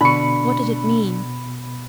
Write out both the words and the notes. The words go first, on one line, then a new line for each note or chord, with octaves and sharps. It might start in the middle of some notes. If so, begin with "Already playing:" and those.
What did it mean?
B2 D3 B3 D4 B5 C#6 C#7